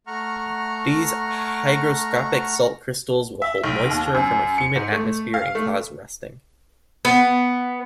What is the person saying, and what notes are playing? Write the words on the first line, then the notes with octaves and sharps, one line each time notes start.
These hygroscopic salt crystals will hold moisture from a humid atmosphere and cause rusting.
A3 F#5 A#5 C#6 F6
E5
B1
D#2
F#2
C#7
G#2
A3
F5
A3
B3